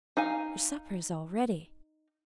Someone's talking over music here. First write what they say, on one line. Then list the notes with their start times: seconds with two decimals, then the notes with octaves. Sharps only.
Your supper is all ready.
0.17 D#4 F5 G#5